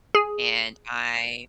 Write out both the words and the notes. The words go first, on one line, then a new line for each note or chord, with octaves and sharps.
And I
G#4